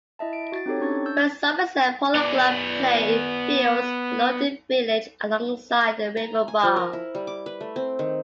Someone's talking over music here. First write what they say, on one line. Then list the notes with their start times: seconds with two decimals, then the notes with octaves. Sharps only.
West Somerset Polo Club play in fields below the village alongside the River Barle.
0.19 E4 D#5 E5 A5
0.33 D7
0.52 F#4 A6
0.66 C4 D#4 G4 A4 C#5
0.80 C#4 D4 C#6 G#6 A6
1.06 E6 G6
2.15 B3 D5
6.17 A#5
6.48 G#5
6.63 F3
6.76 A#4
6.93 E4
7.15 G3
7.27 D6
7.46 B4
7.61 A3
7.76 C4
7.99 D#3